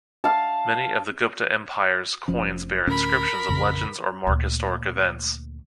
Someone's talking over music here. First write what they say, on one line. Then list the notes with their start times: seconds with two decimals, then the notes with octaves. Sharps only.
Many of the Gupta Empire's coins bear inscriptions of legends or mark historic events.
0.24 F5 A5
2.28 F1 F3 C#4
2.87 D2 A2 C#4 A#4 B5
3.49 A1 F2 C#3
4.27 D2 A#2